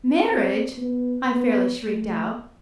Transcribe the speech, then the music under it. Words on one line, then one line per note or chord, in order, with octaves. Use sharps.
"Marriage!" I fairly shrieked out.
C4
B3
B3
A3